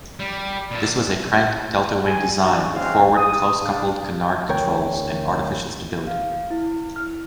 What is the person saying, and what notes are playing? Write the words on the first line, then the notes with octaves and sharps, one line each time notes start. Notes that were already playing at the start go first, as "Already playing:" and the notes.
This was a cranked delta wing design with forward close-coupled-canard controls and artificial stability.
G3
A#2 A4
G4 G#4 G#5
D4 F#4
G#3 C4 C#4 F#4 F5
D#6
D4 F5
D2 A#4 C#5 G5
F5
E4
F6